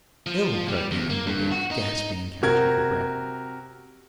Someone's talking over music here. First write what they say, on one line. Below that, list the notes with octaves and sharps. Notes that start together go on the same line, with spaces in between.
'Ill!' cried the invalid, gasping and catching for breath.
F3
G3
E2
A#3
G2
F#4
D#4
C3 F#4 A#4 G#6